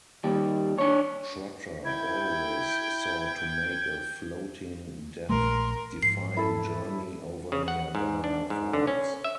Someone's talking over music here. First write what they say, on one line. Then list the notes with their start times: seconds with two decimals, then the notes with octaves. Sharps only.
Trotter always sought to make a floating death-defying journey over Niagara Falls.
0.24 D#2 G3
0.79 D4 C#5
1.84 E4 G5 G#6
5.29 A#1 A3 A#4 C6
6.02 G#2 F3 C7
6.37 E4 A4
7.52 C#3
7.68 F#5
7.95 G#2
8.24 D4
8.50 G#2
8.73 D3
8.87 C#4
9.24 E5